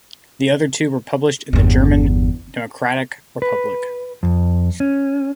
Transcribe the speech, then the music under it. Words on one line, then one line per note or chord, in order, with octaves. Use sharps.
The other two were published in the German Democratic Republic.
G1 E2
B4
F2
C#4